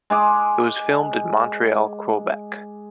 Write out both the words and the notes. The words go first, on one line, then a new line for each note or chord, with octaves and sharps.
It was filmed in Montreal, Quebec.
G#3 G#4 D6